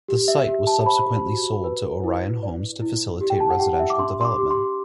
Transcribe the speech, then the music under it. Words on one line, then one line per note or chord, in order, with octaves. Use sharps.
The site was subsequently sold to Orion Homes to facilitate residential development.
G4
E5
G4
A5
A5
C5 B5
F#4
B4
E4
D5
E4
G4
G5
A5
F#5
G4 G5
F#5
E5
D6
D4 C6
C6
D6
G4
C6